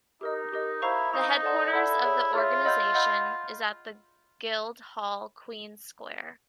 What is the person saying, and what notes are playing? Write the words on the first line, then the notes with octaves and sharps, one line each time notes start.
The headquarters of the organisation is at the Guild Hall, Queens Square.
D#4 G4 A#4 D#5
G4 A#4 D#5
E4 C5 F5 A#5 C#6
D#4 C5 F5 A#5 C#6
A4 D5 F#5 A5 C6
E4 A4 D5 F#5 A5 C6
G#4 C#5 E5
F4 G#4 C#5 E5
D#5 F#5 B5 E6 G6
D#5 F#5 B5 E6 G6